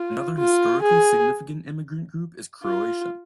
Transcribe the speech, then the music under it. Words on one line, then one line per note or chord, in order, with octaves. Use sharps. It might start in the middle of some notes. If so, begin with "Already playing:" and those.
Another historically significant immigrant group is Croatian.
Already playing: F4
F4
G#4
F4